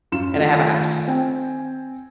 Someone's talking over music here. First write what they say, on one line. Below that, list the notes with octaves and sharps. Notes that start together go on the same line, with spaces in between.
and I have a house.
F#2 F4 C6 E7
D#3 A3 F4
C4 G5 G#5